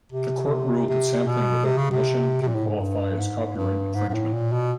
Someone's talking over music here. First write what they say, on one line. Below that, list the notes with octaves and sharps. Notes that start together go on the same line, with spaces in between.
The court ruled that sampling without permission can qualify as copyright infringement.
C3
C3
B2
C3
C#3
C3
C3
A#2
A2
G#2
G2
G#2
G2
G#2
G#2
A2
A#2
B2